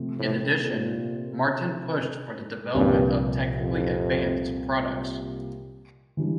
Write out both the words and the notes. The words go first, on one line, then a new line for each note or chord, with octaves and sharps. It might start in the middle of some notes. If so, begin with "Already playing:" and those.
In addition, Martin pushed for the development of technically advanced products.
Already playing: C3 F3 A3 C4
A2
A#2
C2 G2 A#2 F3 A#3
F2
E3 G3 D4